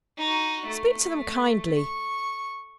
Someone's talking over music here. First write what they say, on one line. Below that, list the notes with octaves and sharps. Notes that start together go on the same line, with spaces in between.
Speak to them kindly.
D#4 F#4
A3
C#6